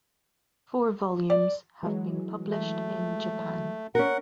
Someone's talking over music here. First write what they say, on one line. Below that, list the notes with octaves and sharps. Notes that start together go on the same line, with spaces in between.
Four volumes have been published in Japan.
D5
E3 F#3 G#3
A3
C#4 A#4 F#5